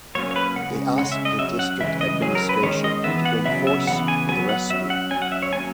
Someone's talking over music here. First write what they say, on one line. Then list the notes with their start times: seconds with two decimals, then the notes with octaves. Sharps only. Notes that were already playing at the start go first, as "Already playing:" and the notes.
They asked the district administration to bring force for their rescue.
0.15 F#3 A#3 C#4 C#5
0.31 C#5
0.36 B4
0.56 C#3 G#3 C#4 F#5
0.98 C#3 G#3 C#4 F#5
1.12 E5
1.25 D#5
1.39 F#3 C#4 E5
1.59 F#5
1.80 C#3 E3 G#3 E5
2.01 D#5
2.22 F#3 C#4 G#4
2.35 A#4
2.49 B4
2.63 D#3 G#3 C#4 C#5
2.84 D#5
3.04 E3 B3 E5
3.25 F#5
3.46 C#3 F#3 B3 E5
3.67 E5
3.87 C#3 E3 B3 F#5
4.08 G#5
4.28 F#3 G#5
4.32 B3
4.49 F#5
4.69 F#3 E5
4.73 C#4
4.90 F#5
5.11 F#3 C#4 G#5
5.22 F#5
5.32 E5
5.42 C#5
5.52 F#3 A#3 C#4 G#5